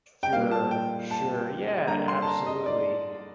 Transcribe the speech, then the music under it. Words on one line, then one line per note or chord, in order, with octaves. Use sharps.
sure sure, yeah, absolutely.
G5
A#2 G3 A#3 F5
A5
G5
A5
D3 G3 A#3 A#5
C6
A5
A#5
D#5
D5